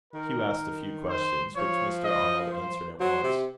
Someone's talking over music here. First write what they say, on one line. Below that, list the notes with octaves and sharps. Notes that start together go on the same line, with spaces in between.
Hugh asked a few questions, which Mr. Arnold answered at once.
D#3 A#4
D#3
C5
F3 C#5
D#5
C5
F#3 C5
C3